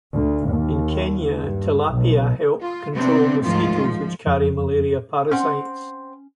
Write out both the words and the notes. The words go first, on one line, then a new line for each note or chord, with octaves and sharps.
In Kenya, tilapia help control mosquitoes which carry malaria parasites.
D2
D#2
G2
B1
F4
C3 B3 C4 D4
D2 G#2 D#3 F3 F4
F3
F2
C4 C#4 C5 F#5